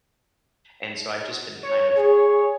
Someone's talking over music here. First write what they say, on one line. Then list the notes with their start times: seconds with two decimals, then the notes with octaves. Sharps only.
and so, I've just been kind of
1.63 C#5
1.97 G#4